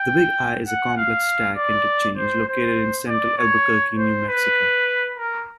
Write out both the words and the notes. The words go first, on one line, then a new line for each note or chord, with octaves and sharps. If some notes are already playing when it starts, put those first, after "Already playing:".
The Big I is a complex stack interchange located in central Albuquerque, New Mexico.
Already playing: G5
F#5
F5
D5
C5
C5
D5
C#5
C5
B4
A#4